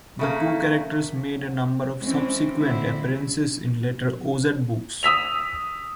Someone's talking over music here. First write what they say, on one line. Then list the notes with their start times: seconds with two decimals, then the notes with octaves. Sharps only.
The two characters made a number of subsequent appearances in later Oz books.
0.19 C#3 A3 A#3
2.02 E3 G#3 C4 C#4
2.56 D3 G#3 C4 E4
5.03 D#6 E6 B6 F7